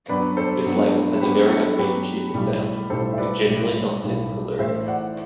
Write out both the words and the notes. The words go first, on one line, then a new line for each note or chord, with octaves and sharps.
This label has a very upbeat and cheerful sound, with generally nonsensical lyrics.
G2 F#3 B3 B4 D5
A4 C5
G2 F#3 B3
G2 F#3 B3 G4 B4
F#4 A4
G2 F#3 B3 G4 B4
B1 A2 G3
B1 A2 G3 A4 C5
E5
B4 D5
B1 A2 G3
B1 A2 G3
A2 E3 A3 C5 E5
D5 F#5